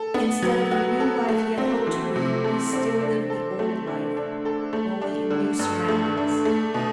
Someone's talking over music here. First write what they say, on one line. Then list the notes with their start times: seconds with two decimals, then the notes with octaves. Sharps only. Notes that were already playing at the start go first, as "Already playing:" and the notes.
Instead of the new life he had hoped to lead he still lived the old life, only in new surroundings.
Already playing: A4
0.14 B3
0.42 F#3
0.71 F#4
1.00 A4
1.29 A3
1.58 C4
1.87 E3
2.16 C3
2.44 A3
2.73 C4
3.01 D4
3.30 A4
3.59 A3
3.87 D3
4.17 D4
4.45 A4
4.73 A3
5.02 D4
5.30 D3
5.59 G2
5.89 A3
6.17 D4
6.45 A3
6.74 B2